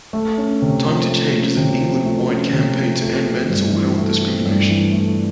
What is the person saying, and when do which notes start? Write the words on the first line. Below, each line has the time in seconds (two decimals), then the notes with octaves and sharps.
Time to Change is an England-wide campaign to end mental health discrimination.
0.13 A3
0.38 C#4
0.62 C3
0.86 F3
1.09 A3
1.33 C#4
1.57 C3
1.81 F3
2.06 A3
2.29 C#4
2.53 C3
2.78 F3
3.02 A3
3.25 C4
3.50 G2
3.73 E3
3.97 A3
4.21 C4
4.45 G2
4.69 E3
4.92 A3